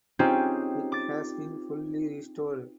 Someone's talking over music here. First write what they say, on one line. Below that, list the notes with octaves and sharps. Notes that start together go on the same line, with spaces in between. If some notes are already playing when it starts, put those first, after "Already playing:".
It has been fully restored.
C4 C#4 D#4 F4 G4 G#4
D6 A6